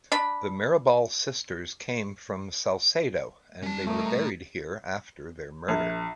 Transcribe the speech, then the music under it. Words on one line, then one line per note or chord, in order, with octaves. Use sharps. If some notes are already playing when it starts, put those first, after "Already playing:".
The Mirabal sisters came from Salcedo and they were buried here after their murder.
D4 B5
G3 C#4 A5
A2 A3 A#4 D#5
A#5
A#1